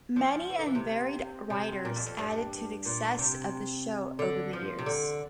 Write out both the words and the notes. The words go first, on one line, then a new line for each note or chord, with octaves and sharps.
Many and varied writers added to the success of the show over the years.
F3
E3
D3
E3
C3
C3
A#2
F2
F2
G2
A#2
C3
D3
F3
C3
D3